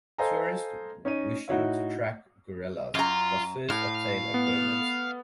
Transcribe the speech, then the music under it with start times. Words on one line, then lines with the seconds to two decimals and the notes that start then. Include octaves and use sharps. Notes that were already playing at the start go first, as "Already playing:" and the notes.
Tourists wishing to track gorillas must first obtain a permit.
0.18 A4 C5 D#5 F5 G#5 A#5
1.05 C#4 D#4 D#5 D#7
1.48 A2 D#4 F#4 C#5 E5
2.95 F#2 F4 A#5
3.70 A2 F5
4.34 B3